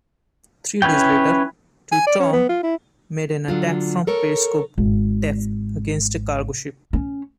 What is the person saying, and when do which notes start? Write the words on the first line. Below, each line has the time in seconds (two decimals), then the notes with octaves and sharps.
Three days later, "Tautog" made an attack from periscope depth against a cargo ship.
0.82 C#4 E4 B4 C#5 G5
1.92 G#5
2.07 D5
2.20 C#4
2.32 B3
2.49 F4
2.63 E4
3.48 D3 F#3 F4
4.07 A4 A#4 C#5
4.78 G#1
6.93 C#4